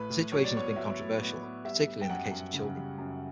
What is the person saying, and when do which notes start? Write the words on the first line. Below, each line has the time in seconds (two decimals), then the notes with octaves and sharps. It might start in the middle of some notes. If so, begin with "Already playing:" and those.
The situation has been controversial, particularly in the case of children.
Already playing: A2 B4
0.10 A2
0.32 F#3 C#5
0.44 D5
0.54 B3 C#5
0.76 F#3 E5
0.99 A2
1.20 B3
1.43 B3
1.65 G3 E5
1.87 G3
2.01 G5
2.10 F#2 F#5
2.31 F#2
2.54 C#3
2.76 G3
2.98 F#2